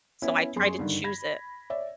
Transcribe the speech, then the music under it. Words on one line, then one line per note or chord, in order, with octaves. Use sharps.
so, I try to choose it.
B3 C#4 E4
F#2 G#4 C6
G2 D3 D#3
B5 G#6 A#6
C#5 D5 E5